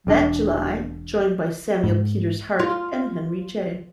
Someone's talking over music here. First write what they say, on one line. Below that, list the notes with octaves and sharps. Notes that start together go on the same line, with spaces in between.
That July, joined by Samuel Peters Hart and Henry J.
E1 G3 G#3 D4
G#2
F4